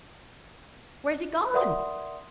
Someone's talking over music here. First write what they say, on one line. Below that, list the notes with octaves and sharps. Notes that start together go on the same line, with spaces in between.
Where's he gone?
A#4 D5 E5 F#5 C6 D#6